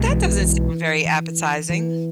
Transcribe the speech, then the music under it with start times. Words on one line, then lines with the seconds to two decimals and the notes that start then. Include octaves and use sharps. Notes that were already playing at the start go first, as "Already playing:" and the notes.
That doesn't seem very appetizing.
Already playing: B1 B2 G#3
0.09 E3
0.41 E3
1.06 E3
1.70 E3